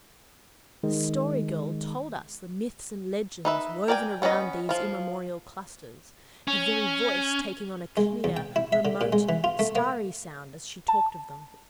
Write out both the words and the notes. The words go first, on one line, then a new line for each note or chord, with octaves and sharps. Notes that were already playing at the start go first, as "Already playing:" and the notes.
The Story Girl told us the myths and legends woven around these immemorial clusters, her very voice taking on a clear, remote, starry sound as she talked of them.
D#3 G#3
D#4 B4 E5
A#4 D5 G5 G#5
B3 C#4 B4 D5 D#5
F3 F4
C#4
G#3
E2
G5
E4
E5
D3
A#2
G#3
E3
F4
A3
A#3
A5